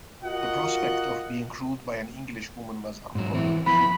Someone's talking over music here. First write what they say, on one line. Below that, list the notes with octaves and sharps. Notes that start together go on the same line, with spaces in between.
The prospect of being ruled by an English woman was unpopular.
F4 F#4 A#4 D#5 F#5
G#2 F#3
E3 C4 E4
F3 B3 E4 B5